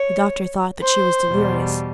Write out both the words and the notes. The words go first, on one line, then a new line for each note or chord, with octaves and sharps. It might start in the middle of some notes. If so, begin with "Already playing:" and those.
The doctor thought that she was delirious.
Already playing: C#5
C5
E2 B2 G3